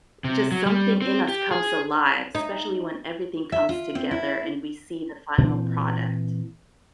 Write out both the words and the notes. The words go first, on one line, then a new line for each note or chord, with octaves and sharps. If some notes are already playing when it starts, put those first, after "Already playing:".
just something in us comes alive, especially when everything comes together and we see the final product.
C3
F#3
G3
C4
G4
G#4
D#4
E5
F4
C4
E4
A#2 E3 C4